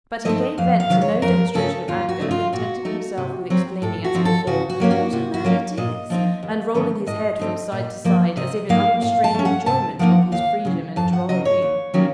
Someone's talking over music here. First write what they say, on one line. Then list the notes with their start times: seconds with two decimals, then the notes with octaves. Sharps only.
But he gave vent to no demonstration of anger, contenting himself with exclaiming as before, 'What a man it is!' and rolling his head from side to side, as if in unrestrained enjoyment of his freedom and drollery.
0.25 A3 C4 D#4 D#5
0.58 F2 F5
0.80 F5
0.90 C3 D#3 F#3
1.01 C#5
1.22 F2 A#4
1.55 C#3 A3 C#4 A4
1.88 D#2 F4
2.09 F#4
2.20 C#3 A3 D#4
2.31 F4
2.53 A#2 F#4
2.85 A3 D#4
3.18 C3
3.50 F#3 C4
3.82 A2 A4
4.04 F#4
4.14 F3 C4 D#4
4.25 A4
4.47 C#3 F#4
4.70 F#4
4.80 F#3 A#3 C#4
4.91 F#4
5.13 C3 F#4
5.34 F#4
5.45 F#3 A#3 C#4
5.77 A#2 D#5
6.10 F3 C4 D#4
6.43 D#2
6.75 D#3 A3 C#4
7.07 A2 D#5
7.39 A3 C4 D#4
7.72 A#2
8.04 F3 A#3
8.37 C3 D#5
8.69 F#3 A#3 D#4 F5
9.01 A2 F5
9.24 A5
9.34 A3 C#4
9.45 F#5
9.66 C3 A5
9.99 F3 A#3 D#4 F#5
10.32 D#2 F5
10.65 C#3 F#3
10.96 F2 A5
11.13 F#5
11.29 C#3 F#3 D#5
11.45 C#5
11.62 D#2
11.94 D#3 F#3 A#3 C#4